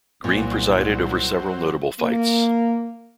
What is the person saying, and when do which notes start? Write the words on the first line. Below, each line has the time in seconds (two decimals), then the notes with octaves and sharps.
Green presided over several notable fights.
0.24 C2 A#2 F#3 C4
1.99 A#3